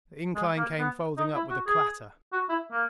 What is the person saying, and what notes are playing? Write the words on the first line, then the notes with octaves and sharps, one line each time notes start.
The incline came folding up with a clatter.
G#3
A#3
B3
D#4
E4
F#4
G#4
F#4
E4
A#3